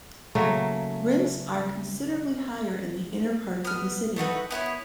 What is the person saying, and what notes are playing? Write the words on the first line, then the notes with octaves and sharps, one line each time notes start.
Rents are considerably higher in the inner parts of the city.
C#3 F#3 A3 A#3
B3 F6
A3 D#4 F#4 B4
B3 E4 C5 C#5